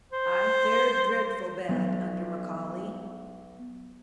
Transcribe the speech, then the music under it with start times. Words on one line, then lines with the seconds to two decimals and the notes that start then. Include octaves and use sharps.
I fared dreadful bad under McCaully.
0.12 C5
1.69 F#3 B3